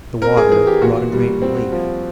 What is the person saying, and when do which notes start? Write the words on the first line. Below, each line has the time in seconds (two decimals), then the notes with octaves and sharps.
The water brought a great relief.
0.22 C4 A#4
0.37 G#4
0.52 E3 G#4
0.67 G4
0.82 A#2 F#4
1.12 G3
1.42 C4
1.72 F3